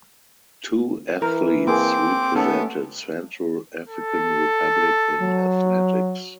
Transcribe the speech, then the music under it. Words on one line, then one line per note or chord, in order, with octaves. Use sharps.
Two athletes represented Central African Republic in athletics.
E3 A#4
A#3 C4 G#4 D6
A3 B3 C#4 A4
A4
F#3